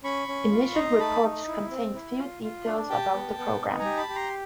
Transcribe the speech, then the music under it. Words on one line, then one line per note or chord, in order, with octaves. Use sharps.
Initial reports contained few details about the program.
C#4 B5 C#6
C#4
F4
D#4 A#5 C6
A3 A5 B5
D#4
E4
C4
E4
F4
F4
D4
G4 G5 A5
B3
B3
D#4
G#5 A#5
G4
A5 B5
G4
A#5 C6